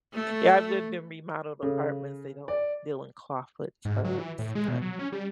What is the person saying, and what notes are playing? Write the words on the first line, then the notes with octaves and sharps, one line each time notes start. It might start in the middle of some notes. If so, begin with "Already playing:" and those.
Yeah, I've lived in remodeled apartments. They don't deal in clawfoot tubs, but
A3
C#3 A4
D5
G#2
F#3
E3
A2
G#3
B2
F#3
C#4
G3